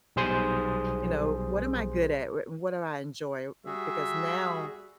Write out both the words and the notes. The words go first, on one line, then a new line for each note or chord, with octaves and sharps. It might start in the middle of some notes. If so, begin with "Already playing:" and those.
you know, "What am I good at? R what do I enjoy?" Because now
B1 G3 G#4 C5 C6 D#6
G3 F#4 G#4 E5